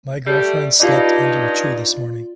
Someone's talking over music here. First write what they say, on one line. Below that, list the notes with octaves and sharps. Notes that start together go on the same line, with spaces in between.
My girlfriend slept under a tree this morning.
G3 A3
G2 D#4 F4 D5